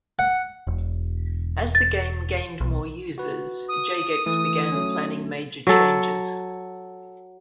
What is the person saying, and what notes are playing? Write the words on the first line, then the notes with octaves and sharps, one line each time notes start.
As the game gained more users, Jagex began planning major changes.
F#5
E1
A6
B1
F#4 B4
D#6
E3 A3
F#3 A3 C#4
F#3 A4